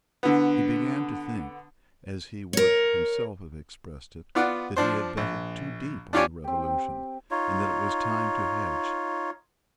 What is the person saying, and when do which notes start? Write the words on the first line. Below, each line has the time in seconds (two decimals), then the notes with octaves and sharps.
He began to think, as he would himself have expressed it, that he had betted too deep on the Revolution, and that it was time to hedge.
0.23 D3 B3
2.53 A#4 C#5
4.35 B3 F4 D5 F#5
4.76 F3 D4 C5
5.17 A#1
6.13 D4 F4 G4 C#5 D5 G#5
6.44 C4 G4
7.31 D#4 F4 C#5